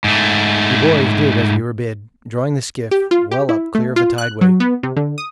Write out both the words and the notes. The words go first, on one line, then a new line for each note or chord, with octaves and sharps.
We boys did as we were bid, drawing the skiff well up clear of the tideway.
G#2 A3
G4
F4
G4
E4
A3
F4
F#6
F#3
B3
C3
D3
D#6